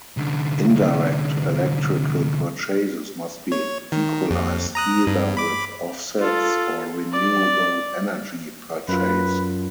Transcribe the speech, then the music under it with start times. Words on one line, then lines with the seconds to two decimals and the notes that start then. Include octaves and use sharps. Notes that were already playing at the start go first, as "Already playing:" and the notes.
Indirect electrical purchases must be equalized either with offsets, or renewable energy purchase.
0.17 C2 D3
3.52 C#5
3.92 D#3
4.30 F2
4.75 A#5 D#6 F#6
5.07 G2
5.37 B5 D6
6.18 F4 A4
7.12 D5
8.88 F#2 F4 B4